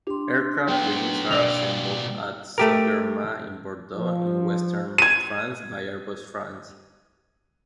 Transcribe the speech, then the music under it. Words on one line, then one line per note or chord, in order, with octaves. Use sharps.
Aircraft wings are assembled at Sogerma in Bordeaux in western France by Airbus France.
D4 G4 C6
F#3 B3 G5
B2 A#3 D5 F7
A3 G4 A#4
F3
G#6 D#7